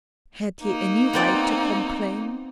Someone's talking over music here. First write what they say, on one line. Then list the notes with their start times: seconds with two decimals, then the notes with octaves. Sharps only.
Had he any right to complain?
0.63 A#3 D#4
1.13 B3 C4 D5